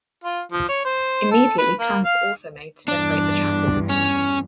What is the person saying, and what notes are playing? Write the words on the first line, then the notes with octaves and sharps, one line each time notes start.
Immediately plans were also made to decorate the chapel.
F4
F3
C#5
C5
A4
B4
A#3
F5
E2 G2 D4
C#4